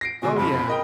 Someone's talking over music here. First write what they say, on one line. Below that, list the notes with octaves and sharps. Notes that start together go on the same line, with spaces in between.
Oh, yeah,
A#6 C7 D7
B2 D3 G#5
F#1 F2 B5
A#4 D#5 G5